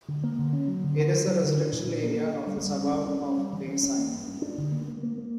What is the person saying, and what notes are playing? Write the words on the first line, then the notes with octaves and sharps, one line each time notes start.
It is a residental area of the subarb of Bayside.
D3
A#3
D3
C#4
F#3
D3
D3
F#3
F#3
D3
D4
A#2
D4
A#3
D4
D4
G3
G3
C#4
G3
C#4
C#4
G3
E3
C#4
C#4
A#3
G2
G2
D4
D3
A#3
A#3
A#3
A#3